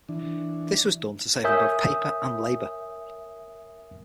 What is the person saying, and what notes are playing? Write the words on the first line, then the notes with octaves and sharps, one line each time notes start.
This was done to save on both paper and labour.
E3 D4
A#4 C#5 E5 G#5 D#6 G6